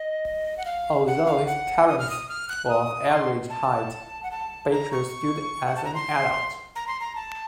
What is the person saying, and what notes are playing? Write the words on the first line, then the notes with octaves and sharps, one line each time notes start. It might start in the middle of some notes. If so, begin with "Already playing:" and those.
Although his parents were of average height, Baker stood as an adult.
Already playing: D#5
F#5
F5
F#5
F5
F#5
D#6
F6
D#6
F6
F#6
D#6
C#6
C6
A5
F#5
A5
A#5
C#6
F#5
A5
A#5
C6
A#5
C6
A#5
A5